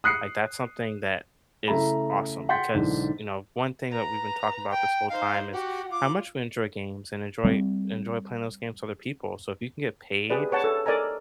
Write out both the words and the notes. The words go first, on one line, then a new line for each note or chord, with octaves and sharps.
like, that's something that is awesome because, you know, one thing that we've been talking about this whole time is how much we enjoy games and enjoy enjoy playing those games with other people, so if you can get paid
D#6 F#6 C7 C#7
C#3 A3 E4 A4 A#5 B5
F#5 G5 C6 G6 A6 B6
B1 G#2 D3 E3
B4 A#5
G5
D#4 C5 F5
F#4 G4 F#5
F4 D6
G3 C4
G4 G#4 B4 D5
B4 C#5 F#5 A5
A4
A4 A#4 D5 D#5 G#5 A#5